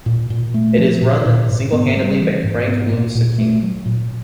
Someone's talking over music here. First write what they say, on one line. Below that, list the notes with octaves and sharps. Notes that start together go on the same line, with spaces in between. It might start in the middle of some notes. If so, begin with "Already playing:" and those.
It is run single-handedly by Frank Lu Siqing.
A#2
A#2
A3
F3
A#2
A#2
G#2
B3
G3
E3
G#2
B3
A#2
A#2
A3
F#3
A#2